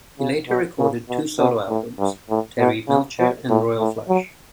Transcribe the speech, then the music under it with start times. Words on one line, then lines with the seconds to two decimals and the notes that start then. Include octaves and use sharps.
He later recorded two solo albums, "Terry Melcher" and "Royal Flush".
0.19 C#3
0.49 B2
0.79 C#3
1.09 B2
1.39 B2
1.69 A2
1.98 G2
2.29 A2
2.59 B2
2.88 C#3
3.19 B2
3.49 A2
3.79 A2
4.08 F#3